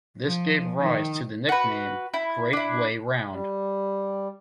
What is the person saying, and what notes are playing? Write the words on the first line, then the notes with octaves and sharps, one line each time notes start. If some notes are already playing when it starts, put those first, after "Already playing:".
This gave rise to the nickname 'Great Way Round'.
F3
D#3
F#4 B4
E4
D4 E4
G3